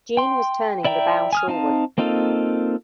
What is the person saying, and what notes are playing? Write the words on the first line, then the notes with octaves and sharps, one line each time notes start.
Jeanne was turning the bow shoreward.
G5 C6
E4 D5 E5 G5 A#5
G#5 D#6 F6
C4 D#4 F5 A5
A#3 C4 D#4 F4 A4